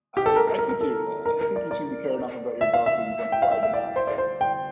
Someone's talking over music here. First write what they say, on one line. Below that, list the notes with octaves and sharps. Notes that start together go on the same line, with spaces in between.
I I think you, uh, I think you seem to care enough about your dogs and you want to fly them out. So,
G4
A4
A#4
A#4
A#4
A#4
A4
A#4
A#4
D5
D5
E5
F5
E5
G5
F5
E5
E5
D5
C5
D5
C5
G5